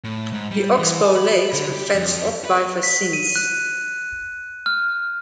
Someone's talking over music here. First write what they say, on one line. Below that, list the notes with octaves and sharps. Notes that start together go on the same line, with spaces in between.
The oxbow lakes were fenced off by fascines.
A2
G#2
G3
E3
G#5
B5
D3
G4
F2
B4
B6
D#7
F#6
F6